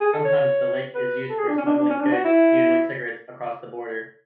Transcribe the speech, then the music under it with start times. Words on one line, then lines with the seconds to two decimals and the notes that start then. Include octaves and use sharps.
Sometimes the lake is used for smuggling goods, usually cigarettes, across the border.
0.01 G#4
0.13 A4
0.25 C#5
0.95 B4
1.30 A4
1.39 G#4
1.48 D4
1.58 C#4
1.66 D4
1.77 D4
1.90 C#4
2.01 D4
2.12 F#4
2.25 E4